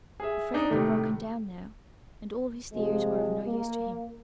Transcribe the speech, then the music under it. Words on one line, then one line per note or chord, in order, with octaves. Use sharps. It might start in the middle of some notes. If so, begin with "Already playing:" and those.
For Frederick had broken down now, and all his theories were of no use to him.
G#4 E5
D4 D#4
A2 C3 D#3 A3
C3 F3 G#3
A#3